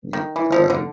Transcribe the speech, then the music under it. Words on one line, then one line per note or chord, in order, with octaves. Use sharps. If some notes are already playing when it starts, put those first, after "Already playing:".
Y uh,
D#3
E3
F3
D3